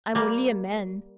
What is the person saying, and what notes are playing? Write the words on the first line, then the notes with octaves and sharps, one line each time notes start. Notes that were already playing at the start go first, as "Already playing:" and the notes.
I'm only a man.'
G3 A#3